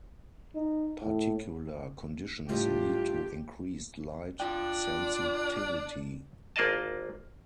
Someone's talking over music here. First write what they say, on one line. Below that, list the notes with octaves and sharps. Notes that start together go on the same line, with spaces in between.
Particular conditions lead to increased light sensitivity.
D#4
A2
A2 G3 D4 F4 G4 D#5
D4 F4 G5
G#1 A#3 F4 D5 D#5 A5